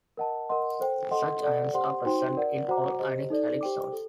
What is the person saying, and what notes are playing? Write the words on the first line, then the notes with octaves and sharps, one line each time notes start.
Such ions are present in all ionic halide salts.
A#4 D#5 F#5 A5
A#4 D#5 F#5 C6
A4 C5 G5
A4 D#5 F#5 C6
A4 D5 F#5
G4 C5 F#5 C6
D#4 F#4 C5 G5 C6
A#4 D5 F#5
F#4 C5 F#5 A#5 D6
G4 C5 D#5
D#4 A4 D5
G4 C5 G5 D6
A4